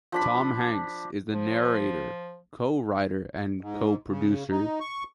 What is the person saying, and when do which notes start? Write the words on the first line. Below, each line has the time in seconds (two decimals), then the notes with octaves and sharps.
Tom Hanks is the narrator, co-writer and co-producer.
0.12 F3 D4 B5
1.34 F3
3.61 G#2
4.09 C#3
4.51 D#4
4.80 C#6